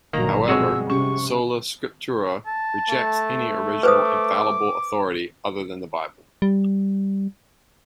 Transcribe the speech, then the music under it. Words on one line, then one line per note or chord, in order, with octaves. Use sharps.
However, sola scriptura rejects any original infallible authority other than the Bible.
G1 A#2 D#3 F#3 A#3 A#5
B2 F3 G3 G#3 C4 F#4 G#4 E6
C3 C#4 G4 C#6
A5
A3
B4 C5 D6 D#6
G3